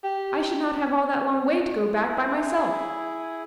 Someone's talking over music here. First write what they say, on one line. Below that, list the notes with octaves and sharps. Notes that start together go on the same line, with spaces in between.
"I should not have all that long way to go back by myself."
G4
E4 G#4